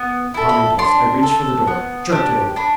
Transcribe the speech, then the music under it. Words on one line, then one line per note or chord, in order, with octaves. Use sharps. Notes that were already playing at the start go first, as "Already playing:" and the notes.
Upon impulse I reached for the door, jerked it open.
Already playing: B3
E4 A4
B5
D4 C6
A4
B3
D4 G4
D4 B5